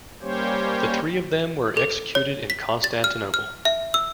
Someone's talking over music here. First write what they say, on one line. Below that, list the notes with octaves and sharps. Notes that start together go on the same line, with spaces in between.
The three of them were executed in Constantinople.
G3 A#3 C#4 G4 C5 C#5
A4
C#5
B6
A6
F6
F6
E5
E6